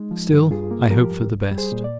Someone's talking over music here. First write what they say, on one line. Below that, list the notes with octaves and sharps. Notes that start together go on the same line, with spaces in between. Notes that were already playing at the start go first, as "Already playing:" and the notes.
Still I hope for the best.
Already playing: G#3 D#4
F3
G2
G2 F4 G#4
A#3
F3 G4 A#4
G2
C2
G3
G#4 C5
A#2
D5